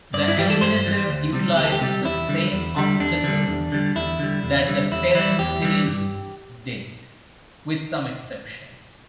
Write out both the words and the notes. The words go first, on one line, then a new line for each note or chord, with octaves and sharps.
The Eliminator utilized the same obstacles that the parent series did, with some exceptions.
G2 D5
E4
E3 G3 G4
A4
G2 C5
E3 G3
D2
C3 G3
D2 G4
A4
G4
C3 G3
E2 E4
D3 G3
E2
D3 G3
E2 D4
D3 G3
E2
D3 G3
E2 E4
D3 G3
E2
D3 G3
E2 E4
E3 G3 E4
E2 G4
E3 G3
G2